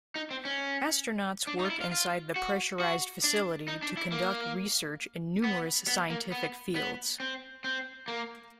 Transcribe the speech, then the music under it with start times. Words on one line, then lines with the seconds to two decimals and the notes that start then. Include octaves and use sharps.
Astronauts work inside the pressurized facility to conduct research in numerous scientific fields.
0.15 D#4
0.31 C4
0.45 C#4
1.47 D4
1.59 D#4
1.65 F4
1.70 E4
1.81 F4
1.91 F4
2.36 F#4
2.80 F#4
3.24 D4
3.68 D#4
3.82 D4
3.97 E4
4.12 A#3
5.44 B3
5.88 B3
6.10 A#3
6.32 B3
6.76 B3
7.20 C4
7.64 C4
8.08 A#3